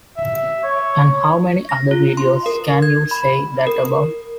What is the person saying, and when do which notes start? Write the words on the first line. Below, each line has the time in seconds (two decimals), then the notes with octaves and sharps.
And how many other videos can you say that about?
0.17 E5
0.63 C#5
1.69 A#6
1.91 F4
2.17 C6
2.46 A#4
2.82 G#6
3.11 B5
3.67 A#4